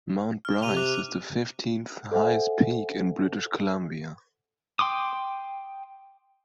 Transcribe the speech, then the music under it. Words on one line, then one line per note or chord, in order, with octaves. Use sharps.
Mount Bryce is the fifteenth-highest peak in British Columbia.
F6
C3 D#7 F7 G7
D6 F#6 F7
A4 C5 E5 F#5 G#5
G5 C6 D6 D#6